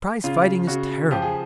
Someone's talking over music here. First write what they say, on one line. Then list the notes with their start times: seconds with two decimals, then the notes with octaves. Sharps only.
Prize-fighting is terrible.
0.24 C#3 F4
0.67 C#3 F#4
1.11 F3 G4
1.22 G#4